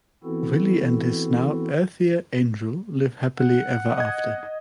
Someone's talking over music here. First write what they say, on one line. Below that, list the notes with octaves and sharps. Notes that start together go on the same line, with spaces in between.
Willie and his now Earthier angel live happily ever after.
E3 B3 C4 E4 F#4 A4
F#5
D#5 G#6